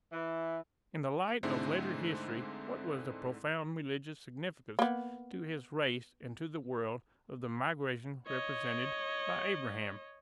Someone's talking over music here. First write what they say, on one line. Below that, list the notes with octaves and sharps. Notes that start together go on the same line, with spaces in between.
In the light of later history what was the profound religious significance to his race and to the world, of the migration represented by Abraham?
E3
G#2 D3 G#3 A3 C4 E4
A#3 B3
C#5 D#5